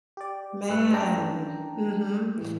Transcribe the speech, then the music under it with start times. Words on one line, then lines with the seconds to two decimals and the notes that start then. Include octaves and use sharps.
Man, mhm.
0.17 G4 D5
0.70 G2 B4 E6 F#6
0.93 C#4 D4 A4 G5 A5 A#5
2.38 A2 E3